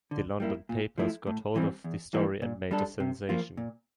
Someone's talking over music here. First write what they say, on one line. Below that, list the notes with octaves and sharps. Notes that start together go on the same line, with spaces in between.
The London papers got hold of the story and made it a sensation.
D3
G3 A#3 E4
A#2
F3 A3 E4
A2
E3 G3 C4
E2
E3 G3 A#3 E4
A#2
G3 D4 A4
C3
F3 A#3 F4
A#2